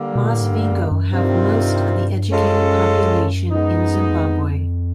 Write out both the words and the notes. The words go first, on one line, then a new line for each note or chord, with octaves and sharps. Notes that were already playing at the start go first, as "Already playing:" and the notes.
Masvingo have most of the educated population in Zimbabwe.
Already playing: D3 G3 A#3
B2
A#2
A2
G#2
G2
F#2
F#2
G2 C3 D#3 G3 C4 F4
F#2 G#3 C#4 F4 A4
G#3 B3 D#4
F2